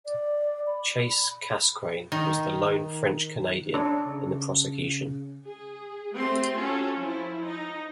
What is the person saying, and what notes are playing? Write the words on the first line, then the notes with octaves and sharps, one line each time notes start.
Chase-Casgrain was the lone French-Canadian in the prosecution.
D5
B5
D#3
D4 C#5
C#3
G#4
A3 C4 G4 C6
C#4 F4 F#4 A4
F3 E4
D#4